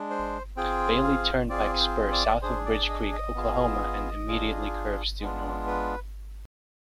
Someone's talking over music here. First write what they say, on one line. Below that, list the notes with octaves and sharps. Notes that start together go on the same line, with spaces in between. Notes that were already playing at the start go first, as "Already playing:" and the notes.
Bailey Turnpike Spur south of Bridge Creek, Oklahoma, and immediately curves due north.
Already playing: G#3 D4
C5
C4 F4 G#4 G5
F5
C4 F4 G#4 D5
C5
D5
D4 G#4 C5
D5
D#5
D#5
B3 F4 G#4
D4 F4 G#4
G#3 B3 D4 F4
B4